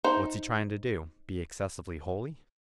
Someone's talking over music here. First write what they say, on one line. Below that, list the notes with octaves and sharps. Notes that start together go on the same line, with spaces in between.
"What's he trying to do--be excessively holy?"
D#4 C5